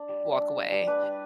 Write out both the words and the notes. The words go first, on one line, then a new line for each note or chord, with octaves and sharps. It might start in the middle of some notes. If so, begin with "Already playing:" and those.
walk away,
Already playing: D4
G3
G3
D4
G3
G3
D4 B4
G3